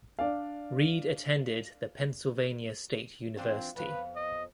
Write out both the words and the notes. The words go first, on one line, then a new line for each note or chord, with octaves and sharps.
Reid attended the Pennsylvania State University.
D4 D5 F5
E3 C4 D4 F4
F2 B3 B4 F5
D#5